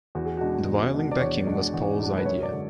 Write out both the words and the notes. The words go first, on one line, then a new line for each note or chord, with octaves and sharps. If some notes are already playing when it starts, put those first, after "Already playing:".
The violin backing was Paul's idea.
E2 F#4
G#4
B2 G#3 D4 F#4
E2
B2 G#3 D4
D5
E2 C#5
B2 G#3 D4
E2
B2 G#3 D4
B4
F#2 C#5
D5
D3 G#3 D4